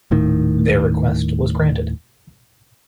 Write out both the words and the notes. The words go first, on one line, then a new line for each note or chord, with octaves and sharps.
Their request was granted.
D#1 A2 D#3